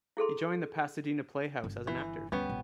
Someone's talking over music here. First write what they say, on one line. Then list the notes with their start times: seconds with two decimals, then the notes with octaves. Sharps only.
He joined the Pasadena Playhouse as an actor.
0.17 E4 G#4 A4 C6
1.64 G1
1.87 E3
2.32 D2 G3 B3 C#4
2.49 A#1